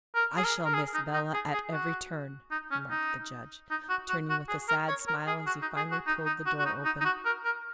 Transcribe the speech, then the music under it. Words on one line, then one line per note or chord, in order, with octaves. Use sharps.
"I shall miss Bela at every turn," remarked the judge, turning with a sad smile as he finally pulled the door open.
A#4
G#4
A#4
A#4
G#4
D#4
D#4
G#4
G#4
F#4
D#4
C#4
D#4
D#4
F#4
F#4
F#4
G#4
A#4
C#5
A#4
G#4
F#4
D#4
G#4
F#4
D#4
D#4
F#4
F#4
D#4
D#4
D#4
F#4
A#4
A#4